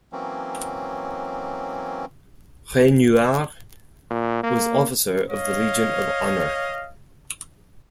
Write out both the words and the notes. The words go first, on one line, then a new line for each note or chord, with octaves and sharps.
Raynouard was Officer of the Legion of Honour.
E3 F#3 A#3 C4 C#4
A#2
A#3
C#5 D#5 F5